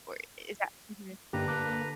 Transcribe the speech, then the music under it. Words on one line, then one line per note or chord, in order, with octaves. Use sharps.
or is that Mhm.
G2 D3 A#3 D4 G4 B4 A#5
A#3 D6 F#6